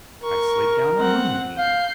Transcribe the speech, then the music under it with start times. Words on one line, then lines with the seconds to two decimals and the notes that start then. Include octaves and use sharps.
"I slid down a moonbeam."
0.24 A#4 C#6
0.98 C4 F#5
1.58 F5 G6 C7